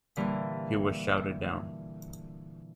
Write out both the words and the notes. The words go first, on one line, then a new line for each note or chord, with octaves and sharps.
He was shouted down.
A#2 D3 E3 G3